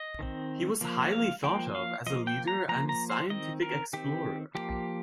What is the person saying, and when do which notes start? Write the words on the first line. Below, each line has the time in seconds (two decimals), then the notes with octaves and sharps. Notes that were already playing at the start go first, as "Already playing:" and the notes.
He was highly thought of as a leader and scientific explorer.
Already playing: D#5
0.19 D#3 C4
0.81 F3 A#3
1.13 F5
1.44 F3 A#3 G5
1.75 F5
2.06 F3 A#3 D#5
2.27 G5
2.48 A#5
2.68 F3 A#3 A#5
2.89 A#5
3.10 C5
3.30 D#3 C4 D#5
3.62 A#4
3.93 D#3 C4 G4
4.55 F3 A#3 G4